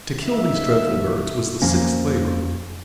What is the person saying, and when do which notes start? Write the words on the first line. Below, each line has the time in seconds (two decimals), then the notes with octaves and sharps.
To kill these dreadful birds was the sixth labor.
0.22 D#2 A3 A#3 D#4 E5
1.62 F2 F3 A#3 C#4